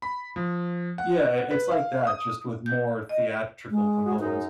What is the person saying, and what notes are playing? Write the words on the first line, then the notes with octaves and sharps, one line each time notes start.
Yeah, i it's like that, just with more theatrical components.
B5
F3
F#5
B4
F5
D#6
G6
D#5
G#3
F#4 G#4
F#2 D#4 G#4